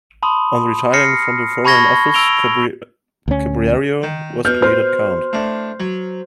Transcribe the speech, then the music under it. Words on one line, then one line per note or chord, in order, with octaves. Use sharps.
On retiring from the foreign office Cibrario was created count.
A5 B5 C6 D#6
F6 A#6 C7 C#7
A5 B5 C#6 G#6 A#6 G7
E6 D7 F7 G7
D2 C#4
D#3
B2 F6 G6
C5 F6
A2 D4
F#3